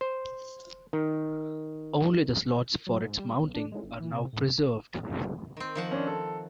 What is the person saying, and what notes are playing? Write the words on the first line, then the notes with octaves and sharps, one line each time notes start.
Only the slots for its mounting are now preserved.
C5
D#3
F#3
G#2
G3
B1
D4
G#3
G1
E3
C3
A2
D#3 C4
D#3 F3 F#5
C#4 D4
A4